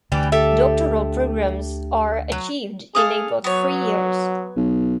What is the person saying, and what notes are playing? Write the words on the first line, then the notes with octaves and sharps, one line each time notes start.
Doctoral programmes are achieved in about three years.
D2 D3 E3 G3 G4
G4 A4 E5
F#3
G#4 A4 F5 D#6
F#3 B3 C#5
B1